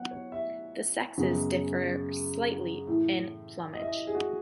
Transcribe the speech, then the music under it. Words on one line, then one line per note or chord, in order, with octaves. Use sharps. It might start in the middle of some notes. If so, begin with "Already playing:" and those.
The sexes differ slightly in plumage.
Already playing: F#3 B3 F#5
C#5
E5
F#2 C#3 G#3 B3
A2 E3 A3
D#5
E5
D#5
G#4
F#4